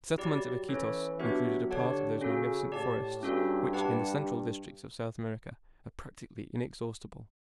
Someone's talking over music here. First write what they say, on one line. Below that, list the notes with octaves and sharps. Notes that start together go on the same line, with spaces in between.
The settlement of Iquitos included a part of those magnificent forests which, in the central districts of South America, are practically inexhaustible.
F#3 E4 G4 D5
E3 C#4 E4 A4 C#5
F#3 B3 D4 G4 B4 E5
D3 G4 C#5 F#5 A5
C#3 C#4 F#4 A4
A2 G4 D5 A5
G2 C#4 F#4 A4
G4 B4 F#5 A5